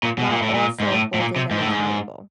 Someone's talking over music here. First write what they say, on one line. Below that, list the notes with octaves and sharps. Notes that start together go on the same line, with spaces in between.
while also holding them accountable.
A#2
B2
A#2
A2
A#2
G#2
A2
A2
A#2
C3
G#2
A2
G#2